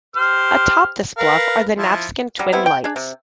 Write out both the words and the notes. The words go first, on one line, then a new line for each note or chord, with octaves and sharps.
Atop this bluff are the Navesink Twin Lights.
G4 C5 F6
A#4 B4 F5
F3 E4
F#3 G3
G3 B3 C4 E4
G5
D4 G#4
C3